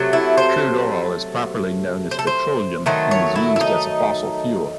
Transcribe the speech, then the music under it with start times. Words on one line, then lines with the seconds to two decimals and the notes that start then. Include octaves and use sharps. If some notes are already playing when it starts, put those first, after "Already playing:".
Crude oil is properly known as petroleum, and is used as fossil fuel.
Already playing: C3 F#3 A3
0.13 E4
0.38 C5
2.11 C5
2.19 A4
2.27 C5
2.86 D#3 F#3 A3 C5
3.11 C#5
3.36 E4
3.56 E4
3.61 D#4